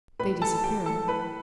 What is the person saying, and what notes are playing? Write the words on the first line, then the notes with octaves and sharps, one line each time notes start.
They disappeared.
A2 B4 B5
A4 A5
A2 G4 G5
A4 A5
E3 B4 B5